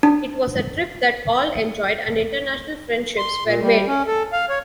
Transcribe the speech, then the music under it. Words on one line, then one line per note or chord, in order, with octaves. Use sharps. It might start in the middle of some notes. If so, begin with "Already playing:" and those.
It was a trip that all enjoyed and international friendships were made.
D4
C6
A#2
G3
C#4
A4
F5
C#5